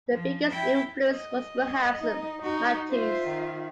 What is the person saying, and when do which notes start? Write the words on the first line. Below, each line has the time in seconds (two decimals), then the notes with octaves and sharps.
The biggest influence was perhaps Matisse.
0.13 F3
0.51 E4 G5
1.09 D#5
2.01 D#4
2.43 D#4 F#4
2.91 F4 C5 E5
3.28 D#3